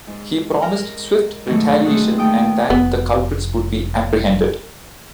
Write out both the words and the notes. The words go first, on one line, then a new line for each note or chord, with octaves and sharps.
He promised swift retaliation and that the culprits would be apprehended.
G#2
A#4
G#2 B2 D#3 F#3 A3
A3 C4 D#4 G#4 B4 F#5
D#2 A3 G5 D#6
F1 B3